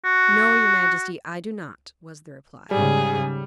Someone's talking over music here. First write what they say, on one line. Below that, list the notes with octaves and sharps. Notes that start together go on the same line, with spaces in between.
"No, your Majesty; I do not," was the reply.
F#4
G#2 C#3 G3 G#4